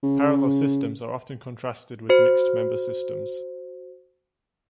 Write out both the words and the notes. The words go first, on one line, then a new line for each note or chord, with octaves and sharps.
Parallel systems are often contrasted with Mixed Member systems.
C#3
F#4 C5